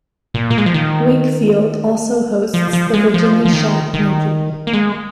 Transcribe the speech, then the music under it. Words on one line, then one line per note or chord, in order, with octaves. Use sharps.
Wakefield also hosts the Virginia Shad Planking.
A#2
A#3
G#3
F3
D#3
F3
F3
G#3
F3
F3
D#3
D#3
A#3
G#3